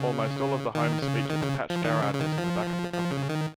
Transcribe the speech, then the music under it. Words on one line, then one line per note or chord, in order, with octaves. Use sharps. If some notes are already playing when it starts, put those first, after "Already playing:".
Almost all of the homes feature detached garages in the back of the property.
Already playing: C#3
D#3
C#3
D#3
C#3
F3
D#3
C#3
C#3
D#3
F3
F3
C#3
D#3